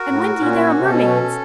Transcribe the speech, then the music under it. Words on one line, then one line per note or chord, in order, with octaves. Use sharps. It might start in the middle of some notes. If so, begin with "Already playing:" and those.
"And, Wendy, there are mermaids."
Already playing: F#4 A#4
A2
A#2 C#4
C3
B2 A4